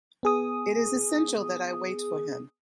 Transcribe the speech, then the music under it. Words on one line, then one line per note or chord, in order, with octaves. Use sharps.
It is essential that I wait for him.
B3 G#4 D#6